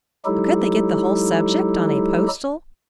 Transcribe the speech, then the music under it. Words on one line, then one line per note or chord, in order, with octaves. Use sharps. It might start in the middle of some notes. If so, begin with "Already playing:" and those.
But could they get the whole subject on a postal?
F#3 G#3 D#4 E4 G4 A4